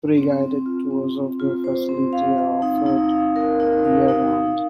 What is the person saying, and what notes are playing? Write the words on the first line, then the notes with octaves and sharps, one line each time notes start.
Free guided tours of the facility are offered year-round.
C4
C4
F4
C4
C4
F4
C5
C4
F5
F5
D#4
D#4
F5
A#4
D#4
F5
D#4
D#4